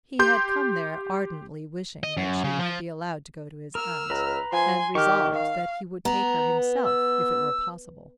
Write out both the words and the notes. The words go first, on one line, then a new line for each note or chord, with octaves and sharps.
He had come there ardently wishing that she might be allowed to go to his aunt, and resolved that he would take her himself if it were possible.
G4 C6 G6
D#5
F#2
C#3
F3
A#4 E6 F6
C#2 B4 A#5
F3 G#5 C6
D#3 G4 C#6 F6
F5
B3 A#5
E6